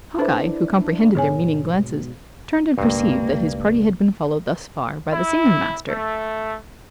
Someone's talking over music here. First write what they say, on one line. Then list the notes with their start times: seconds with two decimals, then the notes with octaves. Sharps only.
Hawkeye, who comprehended their meaning glances, turned and perceived that his party had been followed thus far by the singing-master.
0.19 D4 E4 A4 B4 C5
1.15 G#2 B2 G#4 C#5 G#5
2.78 C#2 G2 B2 A#3
5.11 E4
5.88 A3